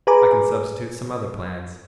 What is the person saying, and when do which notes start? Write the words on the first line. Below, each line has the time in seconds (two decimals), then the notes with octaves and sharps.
I can substitute some other plans.
0.07 G#4 B4 G#5 A#5 B5 D6